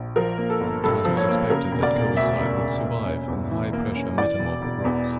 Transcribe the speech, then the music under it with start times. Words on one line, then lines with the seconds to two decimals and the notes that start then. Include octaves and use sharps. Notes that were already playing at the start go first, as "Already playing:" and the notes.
It was not expected that coesite would survive in high pressure metamorphic rocks.
Already playing: A#1
0.16 F3 A#4
0.38 A#3
0.50 A4
0.61 G1
0.84 G2 A4
1.05 F3
1.17 C#5
1.28 A#3
1.50 C#3 A#4
1.72 E1
1.83 D5
1.95 E1
2.17 D2 E5
2.39 C#3
2.61 E1
2.84 A#3
3.06 C#4
3.28 E2
3.51 E3
3.73 A#3
3.95 C#4
4.17 E3 D5
4.39 E1
4.62 E1
4.85 E2